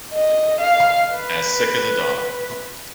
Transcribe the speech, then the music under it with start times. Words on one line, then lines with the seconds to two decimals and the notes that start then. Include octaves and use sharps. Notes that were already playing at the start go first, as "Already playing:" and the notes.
As sick as a dog.
0.13 D#5
0.61 F5
1.13 B4